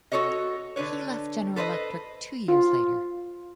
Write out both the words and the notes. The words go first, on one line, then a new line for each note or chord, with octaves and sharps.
He left General Electric two years later.
F#4 G#4 A4 C#5 D#5
D3 D4 B4 C#5
A4 B4 C5 D5 D#5
F4